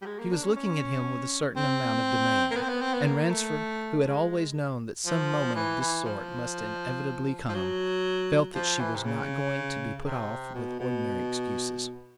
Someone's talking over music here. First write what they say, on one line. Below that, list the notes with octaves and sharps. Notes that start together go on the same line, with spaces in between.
She was looking at him with a certain amount of demand--and Ransford, who had always known that some moment of this sort must inevitably come, felt that she was not going to be put off with ordinary excuses.
G3
G#3
A#3
D4
C#4
C#4
C4
A#3
B3
C4
B3
C4
B3
A#3
A3
G#3
F3
E3
E3
F3
F3
F#3
F3
E3
C3
C#3
C3
B2
B2